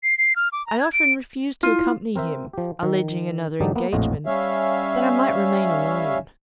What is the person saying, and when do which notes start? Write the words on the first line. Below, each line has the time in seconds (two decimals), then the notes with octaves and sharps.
I often refused to accompany him, alleging another engagement, that I might remain alone.
0.03 C7
0.18 C7
0.36 F6
0.52 D6
0.67 A#5
0.80 G#6
0.93 D7
1.63 E4 F4
2.16 C4 A#4 C5 E5
2.53 F3 G4
2.83 D#3
3.60 G#2 D3 F#3 D#4 G4 A5
3.76 A#3 B3
3.92 A#1 F2 A2 F4 F#4 D#5
4.26 G3 C#4 C#5 E5 F5